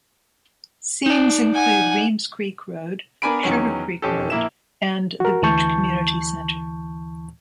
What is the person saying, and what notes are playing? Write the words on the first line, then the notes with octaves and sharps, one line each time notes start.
Scenes include Reems Creek Road, Sugar Creek Road and the Beech Community Center.
D#4 D5
F#5 G#5
B3 D4 A#4 G#5 B5 D7
E2 D#3 F#3 B3 C#4
E1 F2 C#4 G4 A4
A#1 A#3 E4 E5 E7
F#4 A#4
D2 E3 A5 C#6 G6